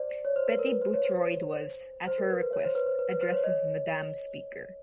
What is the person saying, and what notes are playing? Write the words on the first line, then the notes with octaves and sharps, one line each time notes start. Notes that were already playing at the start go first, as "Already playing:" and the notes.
Betty Boothroyd was, at her request, addressed as "Madam Speaker".
Already playing: C5 D5
C#5
C5
B4
A#4
B4
C5
C#5
C5
C5
A#4
B4
B4
C#5
C5
B4
C5
B4
B4
C5
C#5
C#5 D#5